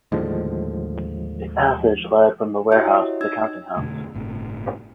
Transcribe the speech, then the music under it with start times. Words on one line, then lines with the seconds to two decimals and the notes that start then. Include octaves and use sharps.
A passage led from the warehouse to the counting house.
0.12 D#2 A2 D3 F3 G#3
2.71 E4 F#4 G4 C#5 D#5 E5
3.21 D#4 D#5 E6 G#6
3.77 F2 B2 D3 A3
4.14 G1 A2 C3